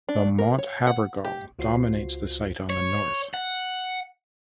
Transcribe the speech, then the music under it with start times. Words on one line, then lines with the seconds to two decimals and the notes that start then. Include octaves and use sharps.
The Mont Havergal dominates the site on the North.
0.09 D4
0.38 A#4
0.58 C#5
0.87 F#5
1.25 G4
1.59 C#2 F4 F#4 C5 C7
2.70 C#5
3.34 F#5